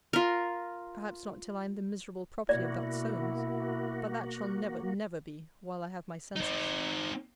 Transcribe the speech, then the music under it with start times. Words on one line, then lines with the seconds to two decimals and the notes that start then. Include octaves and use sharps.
Perhaps not till I am the miserable property of that Solmes!--But that shall never, never be, while I have my senses.
0.13 F4 A#4
2.49 B2 A#3 E4 F#4 D5
6.36 C4 D#4